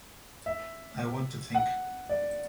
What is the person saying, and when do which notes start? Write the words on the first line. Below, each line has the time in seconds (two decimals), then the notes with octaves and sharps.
I want to think.
0.46 E5
1.55 F#5
2.09 D5